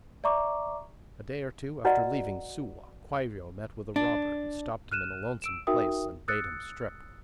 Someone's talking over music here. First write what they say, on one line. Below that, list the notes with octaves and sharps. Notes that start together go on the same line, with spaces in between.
A day or two after leaving Suwa, Kwairyo met with a robber, who stopped him in a lonesome place, and bade him strip.
D5 E5 A#5 C#6 D6
F#4 B4 D5 D#5 F#5 A#5
D4
F6 F#6 D#7 E7
E6 D7 E7
D#4 F#4 A#4 E5 G5 D#6
D#6 E6 F#6 A6 C#7